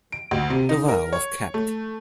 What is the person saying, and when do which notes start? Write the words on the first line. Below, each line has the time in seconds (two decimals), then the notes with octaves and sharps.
The well was capped.
0.12 D7
0.31 D2
0.50 C3
0.69 D#4
0.88 A#4
1.13 C#5
1.54 A3